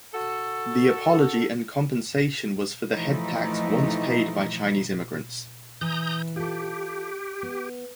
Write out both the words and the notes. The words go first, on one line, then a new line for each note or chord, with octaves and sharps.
The apology and compensation was for the head tax once paid by Chinese immigrants.
F#4 A4
E3 F3 A3 D#4 E4
E3 A#5 D#6 G6
F4 G4 A4
B3